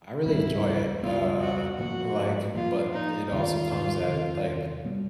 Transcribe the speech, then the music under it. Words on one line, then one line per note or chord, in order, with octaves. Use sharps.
I really enjoy it, uh, like, but it also comes at, like
C#2 B2 G3 B3 E4
C#2 B2 G3 B3 F4
F#4
A2 F3 A#3 F#4
A2 F3 A#3 F4
D#4
E2 C3 D#3 F4
E2 C3 D#3
B2 G3 B3